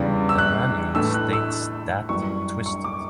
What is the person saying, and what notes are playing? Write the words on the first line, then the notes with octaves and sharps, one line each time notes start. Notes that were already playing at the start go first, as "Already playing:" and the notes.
The manual states that Twisted!
Already playing: E2 C#3 G3
E6
F#6
A2 E3 A3 E6
F#6
E6
F#2 E3 G3 C#6
C#6
D6